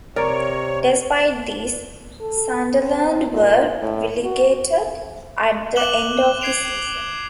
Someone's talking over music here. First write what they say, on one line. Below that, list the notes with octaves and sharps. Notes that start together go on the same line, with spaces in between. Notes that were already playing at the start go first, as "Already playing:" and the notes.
Despite this, Sunderland were relegated at the end of the season.
C3 A#4 C#5 D5
A4
C4
A#2
A2
F#4
D6 F#6 E7 F#7 G7
G#6 C7 D7 F7